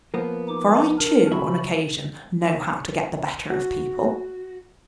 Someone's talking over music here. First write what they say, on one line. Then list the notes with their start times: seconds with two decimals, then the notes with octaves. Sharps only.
For I, too, on occasion know how to get the better of people.
0.14 F3 A#3 B3
0.48 D#4 D6
0.98 D4 A#4
1.32 C#3 F#3 F#4 E5 B5
3.50 F#4